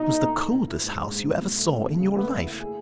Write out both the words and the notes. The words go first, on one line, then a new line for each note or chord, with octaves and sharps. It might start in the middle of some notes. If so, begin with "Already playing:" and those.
It was the coldest house you ever saw in your life.
Already playing: B2 D#4
A3
B2
E4
B2
E4
G#2
G#2
G#2
B2
B2
A3
C#3
E2
C#3
A3 B3
A3
E4
G#4